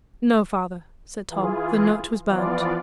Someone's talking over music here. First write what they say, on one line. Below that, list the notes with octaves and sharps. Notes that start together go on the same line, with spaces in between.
"No, father," said Tom; "the note was burnt."
E3 F4 G#4
E3 F3 B3 F4 D5